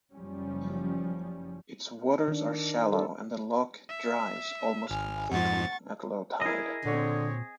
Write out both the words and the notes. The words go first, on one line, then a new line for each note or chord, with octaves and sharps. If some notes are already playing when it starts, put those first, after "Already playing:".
Its waters are shallow and the loch dries almost completely at low tide.
F#1 F3 G3 C#4
D#3 D4
G3 D4 A4
E5
G#1 G#5 F6
F2 G#2 F3 F#5 C#6 A6
E4 G#4 A#4 D#5
A#2 D3 C4 C#5